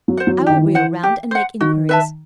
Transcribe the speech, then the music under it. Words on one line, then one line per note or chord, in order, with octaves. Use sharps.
I will reel round and make inquiries.'
F#3
C5 F#5
F#3
E3
D#3 G4
E3
C5 F#5
G4
C5 F#5
D#3 F#4
B4 E5 A5